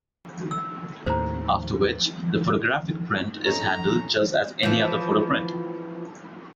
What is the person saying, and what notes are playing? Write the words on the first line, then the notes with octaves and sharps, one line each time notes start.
After which, the photographic print is handled just as any other photo-print.
E6
D#2 A2 C5 A#5
A3 C#4 D#4 A#5
E3 F3